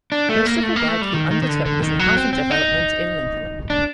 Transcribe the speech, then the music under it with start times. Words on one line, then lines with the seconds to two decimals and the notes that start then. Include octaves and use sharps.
Most of the work he undertook was in housing development in Lincoln.
0.12 D4
0.29 A3
0.46 A#3
0.63 A3
0.76 A#3
0.88 A3
1.01 G3
1.14 D#3
1.31 D#3
1.42 D#3
1.49 D3
1.65 D3
1.82 D#3
1.99 F#3
2.17 C4
2.33 C4
2.51 D#4
3.70 D4